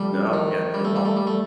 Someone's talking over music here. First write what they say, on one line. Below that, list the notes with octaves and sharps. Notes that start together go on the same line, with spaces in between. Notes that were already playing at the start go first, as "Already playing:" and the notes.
No, yeah, not at all.
Already playing: F3 G3 A3
D#3
G3
A3
G3
A3
G3
A3